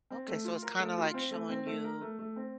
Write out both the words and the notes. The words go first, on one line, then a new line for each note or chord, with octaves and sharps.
Okay, so, it's kinda, like, showing you,
C4
A3
F4
A#4
A3
F4
C4
A3
C4
A3
A#4
A3
A3
C4